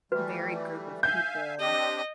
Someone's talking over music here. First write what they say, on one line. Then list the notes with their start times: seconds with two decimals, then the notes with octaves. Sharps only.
varied group of people,
0.12 E3 G3 A3 F#4 B4
1.03 E5 F5 G#5 G6
1.60 C4 D4 G4 D#5